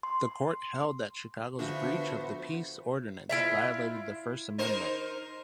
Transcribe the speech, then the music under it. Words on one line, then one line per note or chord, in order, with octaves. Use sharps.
The Court held that Chicago's breach of the peace ordinance violated the First Amendment.
C6
D3 F3 A3 B3 D4 F#4 C5
E4 F4 E5
D#4 A#4 C5